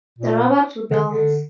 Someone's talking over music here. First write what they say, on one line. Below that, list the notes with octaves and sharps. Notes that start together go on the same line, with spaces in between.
The robot rebels.
A#2
D3
D3